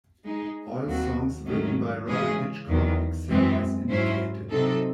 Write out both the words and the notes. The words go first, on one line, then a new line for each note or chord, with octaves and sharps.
All songs written by Robyn Hitchcock except as indicated.
G#3 D#4 G#4
D#2 D#3 F#3 C4 F#4
G#2 D#3 F#3 A3 C#4
C#3 E3 G#3 C#4 G#4
E2 D#3 F#3
F#2 E3 G#3 C4
G#2 F#3 C#4 E4 C5
C3 F#3 C4 D#4 A4